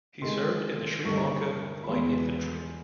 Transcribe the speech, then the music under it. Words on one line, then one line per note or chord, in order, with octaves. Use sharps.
He served in the Sri Lanka Light Infantry.
C3 D#3 G#3 C6
G2 D3 G3 A#3 D#4 C#6
B5
E2 B2 G#3 B3 C6